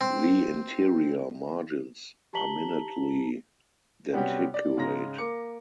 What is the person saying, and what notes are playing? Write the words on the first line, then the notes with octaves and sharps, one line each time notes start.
The interior margins are minutely denticulate.
C4
G4 A5 A#5 B6 F#7 G7
C3 G3 B3 C#4 F#4 G4
D5
G#2 C#3 G#3 A#5 A#6
A#3 D6 C#7